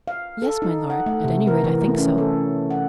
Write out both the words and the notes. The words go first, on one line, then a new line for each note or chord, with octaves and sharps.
"Yes, my lord; at any rate, I think so."
F5
A4
D#4
F#5
A3
C3
A#4
E3
A3
C#4
A4
F#5